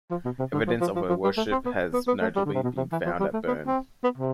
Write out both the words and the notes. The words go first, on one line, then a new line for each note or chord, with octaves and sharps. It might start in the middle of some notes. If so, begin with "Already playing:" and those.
Evidence of her worship has notably been found at Bern.
F3
B2
C3
D3
F3
F3
F3
F3
G3
A3
C4
B3
B3
B3
A3
G3
D3
C3
B2
C3
E3
F3
G3
A3
B3
C4
B3
C3